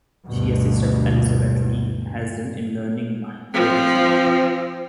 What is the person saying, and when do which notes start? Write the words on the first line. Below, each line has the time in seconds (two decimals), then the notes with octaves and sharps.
She assisted Elizabeth Lee Hazen in learning mycology.
0.27 D2 G2 B2
3.53 F3 C4